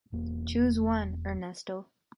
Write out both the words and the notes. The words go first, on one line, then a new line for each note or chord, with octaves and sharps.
Choose one, Ernesto.
E1 A#3